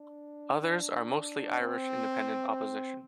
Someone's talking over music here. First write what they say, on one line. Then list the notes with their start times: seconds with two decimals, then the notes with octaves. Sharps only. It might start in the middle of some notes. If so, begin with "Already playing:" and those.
"Others" are mostly Irish Independent Opposition.
Already playing: D4
1.59 C4
2.49 C4